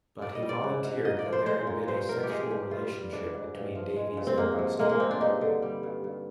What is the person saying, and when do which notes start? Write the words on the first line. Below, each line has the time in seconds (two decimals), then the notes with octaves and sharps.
But he volunteered that there had been a sexual relationship between Davies and Buxton.
0.22 G3 D5
0.35 D#5
0.42 G3
0.49 D5
0.64 G#2
0.84 G#2
1.05 A#2 D#5
1.19 D5
1.26 F3
1.33 C5
1.46 G#3 C5
1.67 A#2
1.88 G2 C5
2.09 F3 A#4
2.23 G4
2.29 G#3 G#4
2.40 G4
2.50 G2 G4
2.71 G3 F4
2.92 G3
3.12 G#2 D4
3.34 G#2
3.54 G2
3.75 F3
3.96 G#3
4.17 G2
4.27 C4
4.37 G#2 A#3
4.58 F3
4.79 G#3 A#3
4.89 A#3
5.00 G#2 C4
5.11 D4
5.20 G2 D#4
5.41 D3
5.62 G3
5.83 G2
6.04 G2